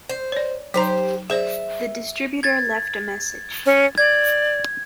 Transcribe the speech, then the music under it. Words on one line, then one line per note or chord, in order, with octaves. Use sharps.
The distributor left a message.
C5
C#5 D5
F#3 D#4 G4 C5 A#5
G#4 C5 D5 E5
G#6 A6
C#4
D5 G#6